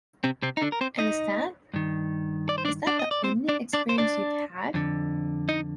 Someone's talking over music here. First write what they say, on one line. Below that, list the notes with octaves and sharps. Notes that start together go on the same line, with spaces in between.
And is that, is that the only experience you've had?
C3 C4
C3 C4
D#4
D3 D4
A#4
C4 C5
D#4 D#5
G2 D#3
D5
C5
D4 D5
D4 D5
D#5
D5
C4 C5
D4 D5
D4 D5
C5
D4 D5
F2 D3
D#4 D#5